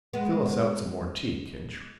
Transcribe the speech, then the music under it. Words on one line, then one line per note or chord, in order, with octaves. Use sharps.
Fill us out some more tea, Kinch.
G#3 B3